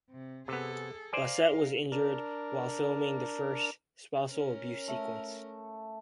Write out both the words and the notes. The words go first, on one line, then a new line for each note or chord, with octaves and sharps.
Bassett was injured while filming the first spousal abuse sequence.
C3
C3 B3 G#4 A4
A#4 C5 D5 F5 G#5
D4 A#4
C#4 A#4
A3